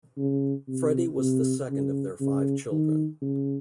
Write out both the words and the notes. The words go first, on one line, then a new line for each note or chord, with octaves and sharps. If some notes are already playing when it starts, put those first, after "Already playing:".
Fredi was the second of their five children.
C#3
C3
C3
C#3
C#3
D#3
C#3